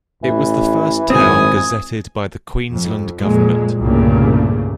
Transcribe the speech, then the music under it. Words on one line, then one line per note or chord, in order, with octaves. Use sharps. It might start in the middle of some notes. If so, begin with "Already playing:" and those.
It was the first town gazetted by the Queensland Government.
A1 E3
G#1 C4 G#5 D#6
F2
F2 A#2 G#3
C2 G2 A#2 C#3 A3